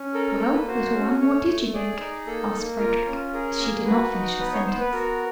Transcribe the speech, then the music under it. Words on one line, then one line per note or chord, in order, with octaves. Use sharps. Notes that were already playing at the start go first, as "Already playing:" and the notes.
'Well, little one, what did you think?' asked Frederick, as she did not finish her sentence.
Already playing: C#4
A4 A#4
A#4
A#3 A#4
B4
F#4 C5
C#4
A3 C#5
A3
G#4 D5
D#4
A#3 A4
A#3
F4 A#4
C#4
G#4 A#4
A#3
F#4 B4
D#4
B3 B4
C#5
B3 C5
B4
F#4 A#4